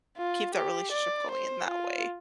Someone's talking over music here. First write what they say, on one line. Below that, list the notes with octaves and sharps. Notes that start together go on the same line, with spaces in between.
keep the relationship going in that way,
F4
G4
D5
C5
F4